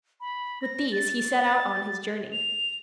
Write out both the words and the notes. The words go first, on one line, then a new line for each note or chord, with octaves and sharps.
With these he set out on his journey.
B5
A#6
A6
A6
F7